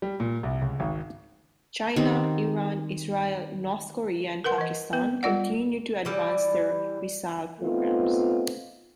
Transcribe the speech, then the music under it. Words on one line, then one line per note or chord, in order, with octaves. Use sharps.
China, Iran, Israel, North Korea, and Pakistan continue to advance their missile programs.
G3
A#2
C2
C#2
G#1
D#3 C4 G4
A#4 B4 F#5 C6
E3 D#5
B3 B4
G3 F4 D5 F#5
E3 G3 E4
A3 B3 C4 D#4 F4